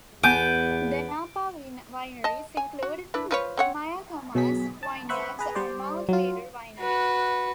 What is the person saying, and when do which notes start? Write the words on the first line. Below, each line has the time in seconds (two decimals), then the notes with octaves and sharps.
The Napa wineries included Mayacamas Vineyards and Mount Veeder Winery.
0.24 E2 B3 G#5 D6 G6
2.24 D#5 A5
2.57 G#5
2.83 F#4
3.14 D4 E4 B4
3.31 F3 B4 C#5
3.57 C4 C#5 F#5
4.35 B2 F#3 G#4 B6
4.83 A5
5.09 B4 C5 E5 F#5 B5 C#6
5.39 G#4 B4 A#5
5.55 G3 C5 D5
6.09 F#3 F4
6.79 F#4 B4